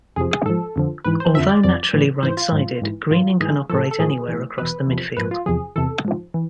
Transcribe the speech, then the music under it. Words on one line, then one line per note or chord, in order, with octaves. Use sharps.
Although naturally right-sided, Greening can operate anywhere across the midfield.
F2 C3 F3 G#4
G#4
G#2 F3 A4
F2 D3 F3
G#2 E3 B4
C5
F2 D3 F3 E5
D5
F2 C3 F3 D5
A2 E3
G#2 E3 C5
F4
G#2 F3
G#2 E3
G#2 E3 F4
G#2 E3 G#4
A2 F3 A4
A4
A2 F3 G#4
A2 E3
E2 B2 B4
E2 C3 F3
G#2 F3 B4
F4
E2 C3 F3 G#4
E2 C3 E3 A4
G#2 F3
E3